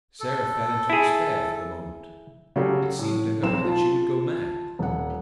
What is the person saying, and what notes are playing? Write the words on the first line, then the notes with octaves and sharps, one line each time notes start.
Sarah fell into despair for the moment: it seemed to her that she would go mad.
A4
E4 G#4
C#3 F#3 F#4 G4 A4
A2
B1 C4 E7
F4 A5
D#1 F#5